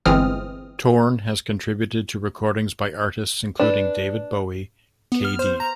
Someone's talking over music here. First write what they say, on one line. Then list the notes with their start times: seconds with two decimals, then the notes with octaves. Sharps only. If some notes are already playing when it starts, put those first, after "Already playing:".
Torn has contributed to recordings by artists including David Bowie, k.d.
0.05 G1 E3 G#3 C4 D#6 F6
3.60 D4 B4
5.12 B3
5.25 F6
5.39 C5
5.60 A#5